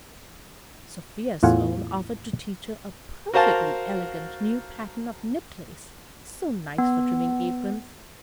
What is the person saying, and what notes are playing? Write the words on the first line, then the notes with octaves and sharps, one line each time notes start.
Sophia Sloane offered to teach her a perfectly elegant new pattern of knit lace, so nice for trimming aprons.
E2 A2 F4 F#5 G#5
F#4 A#4 C5 F5 A5
B3